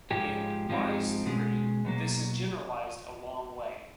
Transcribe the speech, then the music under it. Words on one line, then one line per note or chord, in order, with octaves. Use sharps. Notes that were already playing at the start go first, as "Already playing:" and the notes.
In Lie's theory, this is generalised a long way.
G#2 F3 G#3 G4
G#2 F3 G#3 C4 D#4
B2 G#3 C#4 G#4
B2 F#3 A#3